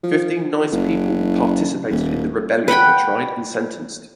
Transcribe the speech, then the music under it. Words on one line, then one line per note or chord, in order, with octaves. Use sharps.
Fifteen Nice people who participated in the rebellion were tried and sentenced.
F3
F#1
D#1
B4 F#5 G5 B5